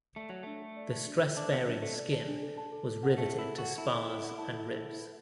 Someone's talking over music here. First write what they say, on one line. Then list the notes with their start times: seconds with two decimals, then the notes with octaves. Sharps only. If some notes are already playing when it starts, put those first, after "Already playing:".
The stress bearing skin was riveted to spars and ribs.
0.16 A3 D5
0.30 F#3 A5
0.43 A3 D4
0.62 A4
0.77 D5
0.92 A5
1.07 D4
1.21 A4
1.37 D4 D5
1.51 B3 A5
1.67 F#3 D4
1.82 A3 A4
1.98 D5
2.13 A5
2.28 D4
2.42 A4
2.58 A5
2.72 A4
2.87 A4
3.03 F#5
3.18 A3 A5
3.32 A4
3.39 E4
3.48 A4
3.58 F#4 F#5
3.78 E4 A5
3.93 A4
4.08 A4
4.23 F#5
4.38 A5
4.54 A4
4.69 A4
4.84 F#5
4.99 B4